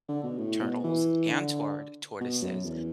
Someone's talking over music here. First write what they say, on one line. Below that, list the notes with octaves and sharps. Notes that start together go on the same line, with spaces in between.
turtles and tort tortoises,
D3
B2
A2
B2
E3
D3
B2
F#2
E2